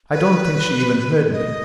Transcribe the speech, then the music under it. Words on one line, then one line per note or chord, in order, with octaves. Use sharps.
I don't think she even heard me.
B4
D#5